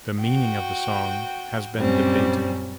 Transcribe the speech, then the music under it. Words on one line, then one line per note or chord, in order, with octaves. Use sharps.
The meaning of the song has been debated.
F#4 G5
F#2 A#2 G3 C4 C#4